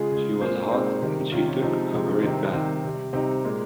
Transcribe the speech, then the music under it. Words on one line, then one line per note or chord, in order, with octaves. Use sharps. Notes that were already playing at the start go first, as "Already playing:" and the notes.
She was hot, and she took a hurried bath.
Already playing: C#3 G#3 F4 G#4
C#3 G#3
A#2 G#3 G#4 C5
A#2 G#3 C4 D#4
C3 D#3 G3
C3 D#3 G3 C#4 F4
C#4 F4
C3 F3 G#3 C4 D#4
C3 F3 G#3
C3 D#3 G3 C4 D#4
C3 D#3 G3 C4 D#4
C3 G3
C3 G3 C4 D#4
A#2 G#3